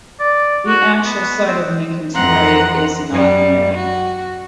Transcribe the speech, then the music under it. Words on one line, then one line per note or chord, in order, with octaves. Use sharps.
The actual site of Ninken's grave is not known.
D5
F#4
B3
C4
F2 E3 C4 F#5 A#5 C6
F#2 G3
F#4